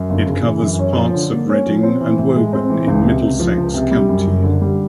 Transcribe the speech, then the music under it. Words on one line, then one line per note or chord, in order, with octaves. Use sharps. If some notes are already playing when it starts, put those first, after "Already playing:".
It covers parts of Reading and Woburn in Middlesex County.
Already playing: F#2
G1
C#3
E3
F#2
C#4
F3
D3
A#3
C#4
F3
C4
E3
A2
G#3
C4
E3
C#2
C3
C#2
F3
C#2
C3
G3
F#2
F#1
D3
G3